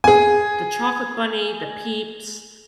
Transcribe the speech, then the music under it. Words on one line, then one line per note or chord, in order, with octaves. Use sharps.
the chocolate bunny, the peeps,
G#4 G#5